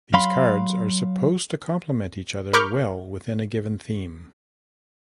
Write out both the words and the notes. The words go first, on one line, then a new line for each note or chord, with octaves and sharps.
These cards are supposed to complement each other well within a given theme.
F#3 F5 B5 C6
A#4 B5 C#6 D6 F6 G6